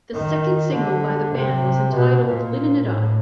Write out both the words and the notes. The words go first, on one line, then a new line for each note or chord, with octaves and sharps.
The second single by the band was entitled "Livin' It Up".
D#3
D3
C3
B2
A#2
A2